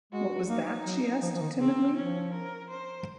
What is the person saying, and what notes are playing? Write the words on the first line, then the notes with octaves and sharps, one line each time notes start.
What was that? she asked, timidly.
G#3 F#4
A#3 D#4
F#3
F3
F3
D#3
C#3 C4
F3 C#4
A#4
C5